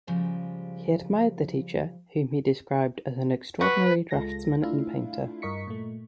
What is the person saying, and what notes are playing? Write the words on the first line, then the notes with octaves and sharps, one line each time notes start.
He admired the teacher, whom he described as an extraordinary draftsman and painter.
C#3 F3 G3 G#3
F#4 B4
C#2 G#3 F4 A4 A#6
A3 D4 E4 F4 E5 F5
G2 A#4 D#5 C#6 B6 C#7
A#2 A3